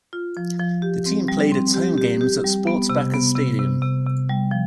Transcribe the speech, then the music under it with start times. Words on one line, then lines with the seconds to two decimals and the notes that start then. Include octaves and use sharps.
The team played its home games at Sports Backers Stadium.
0.13 F4
0.37 F3
0.59 F3
0.82 G4
1.06 C4
1.28 G3
1.52 C4
1.74 G4
1.98 G4
2.21 G4
2.44 G3
2.67 B3
2.90 C3
3.14 B3
3.36 C3
3.59 C3
3.82 C3
4.06 C3
4.29 G3
4.51 F3